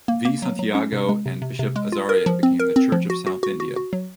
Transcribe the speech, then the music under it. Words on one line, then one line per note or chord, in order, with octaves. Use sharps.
V Santiago and Bishop Azariah became the Church of South India.
A#3
A#3
F#3
F#3
C#4
C3
G#3
C3
C3
C3
G#3
F4
A#4
F3
C4
A#4
C4
F3
F#4
F#4
F#4
F#4
F#4
F#3